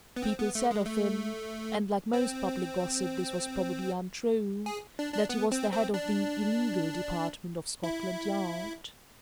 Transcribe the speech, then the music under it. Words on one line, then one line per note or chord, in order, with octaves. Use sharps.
People said of him--and like most public gossip, this was probably untrue--that he was the head of the "illegal" department of Scotland Yard.
B3
C4
B3
A3
G#3
A3
C4
G#4
D4
D4
B3
C4
C4
D4
E4